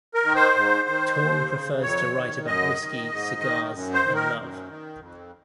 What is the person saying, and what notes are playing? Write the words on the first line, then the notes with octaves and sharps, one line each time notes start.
Torn prefers to write about whisky, cigars and love.
A#4
D#3
C5
G#2
D#3
D#2
C#3
F2 C#5
D#3
F#2 D#5
D#3
G#2
D#3
F#2
C5
D#3
A#4
F#2
D#3
F2